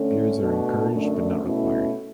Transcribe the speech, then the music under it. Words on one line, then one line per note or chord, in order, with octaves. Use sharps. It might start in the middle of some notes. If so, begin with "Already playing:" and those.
Beards are encouraged but not required.
Already playing: D3 A3 C#4
B2 A3 D4
F#2 D3 A3 D4
B2 A3 C#4 E4